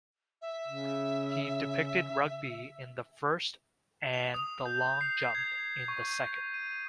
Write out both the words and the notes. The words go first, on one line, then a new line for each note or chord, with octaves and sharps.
He depicted rugby in the first and the long jump in the second.
E5
C#3
F7
D#6
G6
C7
G#6
C#6
D#7